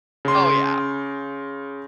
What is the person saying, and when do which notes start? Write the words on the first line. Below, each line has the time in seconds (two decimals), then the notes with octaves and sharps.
Oh, yeah.
0.25 C#3 C6